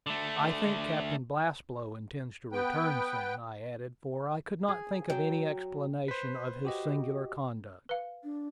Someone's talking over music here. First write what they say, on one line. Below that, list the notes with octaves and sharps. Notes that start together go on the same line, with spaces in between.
"I think Captain Blastblow intends to return soon," I added, for I could not think of any explanation of his singular conduct.
D3 A3
B3 B4 G5
G#4
F#3 G5
B4 C5 B6
F#4 G4 D#5
B4 F5
D4